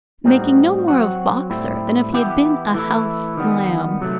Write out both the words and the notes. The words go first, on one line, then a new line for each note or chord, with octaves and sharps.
Making no more of Boxer than if he had been a house lamb!
A2 G3 C4 D#4 F#4
F#3 C4 F#4
A2 G3 C4 E4
E3 B3 E4 G4
E3 A3 E4
D#3 G3 B3
C3 F#3 A3